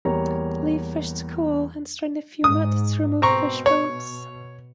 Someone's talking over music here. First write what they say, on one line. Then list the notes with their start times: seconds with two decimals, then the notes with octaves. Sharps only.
Leave fish to cool and strain the fumet to remove fish bones.
0.05 E2 G3 A#3 C#5 A#5
2.44 G#2 D#6
3.22 B2 C4 A#5 C#6
3.66 C#5